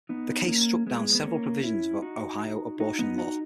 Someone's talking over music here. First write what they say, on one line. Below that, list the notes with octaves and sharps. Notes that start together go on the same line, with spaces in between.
The case struck down several provisions of an Ohio abortion law.
B3 D#4
A#3 C#4
G#3 B3
B3
A#3 C#4
C#4 E4
D#4 F#4
D#4 F#4
B3 D#4
D#4 F#4